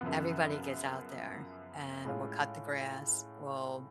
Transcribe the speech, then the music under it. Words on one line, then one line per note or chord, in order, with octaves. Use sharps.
everybody gets out there and we'll cut the grass, we'll
F#2 C#3 F3 B3
A2 G#3 C#4 F4